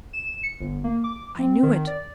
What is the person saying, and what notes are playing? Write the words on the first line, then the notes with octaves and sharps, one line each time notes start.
I knew it.
E7
C#7
G1
A#3
D6
C4
D#3
D5